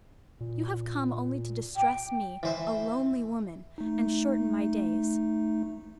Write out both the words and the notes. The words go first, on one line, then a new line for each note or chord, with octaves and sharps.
You have come only to distress me, a lonely woman, and shorten my days!
A#2
G5
E3 C5 E5
A3 D#4